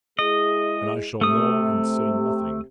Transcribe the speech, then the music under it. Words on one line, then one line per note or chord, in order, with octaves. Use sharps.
And I shall know and say nothing.
G#3 E4 G#4 D#5
C3 A3 D#6